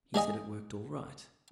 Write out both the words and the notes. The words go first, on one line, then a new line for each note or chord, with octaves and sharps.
He said it worked all right.
G#3 G#4 D#5 G#5